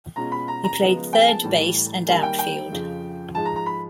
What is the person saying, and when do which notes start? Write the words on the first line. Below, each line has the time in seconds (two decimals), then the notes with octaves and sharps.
He played third base and outfield.
0.16 B2 G#3 C#4 F4 A#5
0.32 B5
0.48 A#5
0.64 A#5
0.80 C#3 F3 G#3 B3
1.13 G5
1.20 G#5
1.28 A5
1.43 A2 E3 G3
2.07 D#3 G3 A#3 G#5
2.23 G5
2.39 G5
2.71 F2 C#3 F3
3.35 G#2 F3 G#3 A5
3.45 A#5
3.56 A#5
3.66 B5